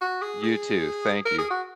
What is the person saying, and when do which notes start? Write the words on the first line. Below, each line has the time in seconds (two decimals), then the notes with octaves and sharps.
You too, thank you.
0.01 F#4
0.22 G#4
0.43 G#4
1.25 A#4
1.38 G#4
1.50 F#4